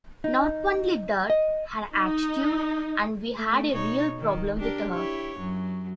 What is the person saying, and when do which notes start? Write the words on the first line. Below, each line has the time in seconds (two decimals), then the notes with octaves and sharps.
Not only that, her attitude, and we had a real problem with her.
0.24 D#4
1.30 D#5
1.94 D#4
3.36 A3
3.71 B2 D#4 C#5
4.19 D#3
4.60 D4 G4 A#4
4.90 E4 G4 C#5
5.38 F#2 F#3